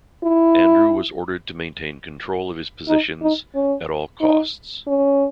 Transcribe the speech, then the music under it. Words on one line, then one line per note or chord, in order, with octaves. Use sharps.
Andrew was ordered to maintain control of his positions "at all costs".
E4
D#4
D#4
C#4
D#4
C#4